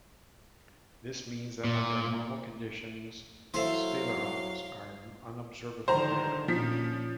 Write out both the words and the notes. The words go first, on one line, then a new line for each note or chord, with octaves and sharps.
This means that under normal conditions sphalerons are unobservably rare.
A#2
F#3 E4 A4 C5 E5 F5
D3 D#3 F3 C5 A#5
A#2 F3 C#4 B6